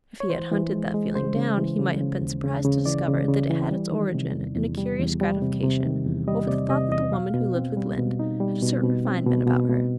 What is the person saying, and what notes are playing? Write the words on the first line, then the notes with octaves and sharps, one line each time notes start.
If he had hunted that feeling down he might have been surprised to discover that it had its origin in a curious gratification over the thought that the woman who lived with Lynde had a certain refinement about her.
C#5
E3 C5
E3
G#3
G#3
C#3 C5
C#3
E3
C#3
C#3
D#2
C#3
C#3
E3 D5
C#3
C#3
E3
G3
D#3
C3
E2
E2
G3
E2
G3
C3
C3
D#3
E2
G3 D#5
C3 D5
C3 D#5
E2 D#5
B2 F5
B2
C4
G3
B2
D#4
G3
B2
B2
C4
B2
B2
B2